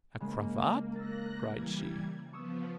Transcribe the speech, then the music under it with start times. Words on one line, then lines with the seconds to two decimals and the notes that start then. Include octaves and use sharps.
"A cravat!" cried she.
0.20 C#3 G#3 A#3
0.96 E6 F#6 A6 A#6
1.49 E3 G3 G#6
2.33 F3 B3 C#6 D#6 E6